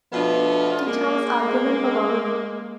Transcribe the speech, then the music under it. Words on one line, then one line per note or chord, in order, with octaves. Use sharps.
Details are given below.
B2 F3 A3 B3 D4 F4
G#3 A#3